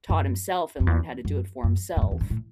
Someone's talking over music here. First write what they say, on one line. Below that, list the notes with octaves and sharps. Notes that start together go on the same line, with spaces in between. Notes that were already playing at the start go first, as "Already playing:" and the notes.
taught himself and learned how to do it for himself.
F#2
F#2
E2
F#2
F#2
G2
F#2
E2
G2
A2